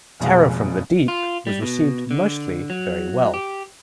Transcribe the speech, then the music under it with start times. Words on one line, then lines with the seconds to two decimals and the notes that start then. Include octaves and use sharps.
"Terror from the Deep" was received mostly very well.
0.20 F1 B2 F3 G#3 F#4 F5
1.08 F4
1.47 G3
1.62 B2
2.11 D3
2.70 F#3
3.34 G4